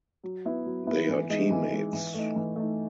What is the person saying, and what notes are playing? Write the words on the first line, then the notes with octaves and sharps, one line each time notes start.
They are teammates.
F#3
B3 E4
F#3
B3 E4
E3
G#3 D#4
E3
G#3 D#4
E3
A3 D#4
E3
A3 D#4